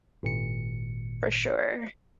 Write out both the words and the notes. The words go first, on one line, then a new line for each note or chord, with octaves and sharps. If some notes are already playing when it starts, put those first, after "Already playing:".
for sure.
G#1 A#2 C#7